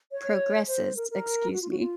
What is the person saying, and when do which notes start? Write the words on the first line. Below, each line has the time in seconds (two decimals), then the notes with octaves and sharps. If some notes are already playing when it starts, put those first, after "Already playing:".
progresses, excuse me.
0.10 C#5
0.66 C5
0.95 A#4
1.09 A#4
1.51 F#4
1.60 F4
1.69 F#4
1.79 F4